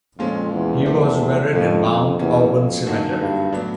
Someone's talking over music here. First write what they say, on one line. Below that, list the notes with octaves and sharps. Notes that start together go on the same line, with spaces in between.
He was buried in Mount Auburn Cemetery.
F2 A#2 F3 G#3 C#4 F4
E2
E2 F3 A3 D4 G4 C5
F2 D3 G3 A#3 C#4
F2
E2 F#3 A#3 C#4
F2
F#2 D3 F#3 A#3 D#4
G2
A2 F#3 B3 D4